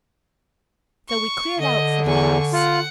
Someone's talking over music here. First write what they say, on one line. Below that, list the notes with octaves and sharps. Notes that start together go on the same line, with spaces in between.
So we cleared out for the house.
C#6
D3 D#5
E2 G#5 C#6
F4 F#5